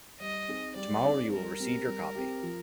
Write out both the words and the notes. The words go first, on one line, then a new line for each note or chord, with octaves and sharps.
Tomorrow you will receive your copy.
G3 D#5
C4 D#4 G#4
G3 D5
C4 D#4 G#4
G3 A#4
C4 G4
G3
C4 G4
F3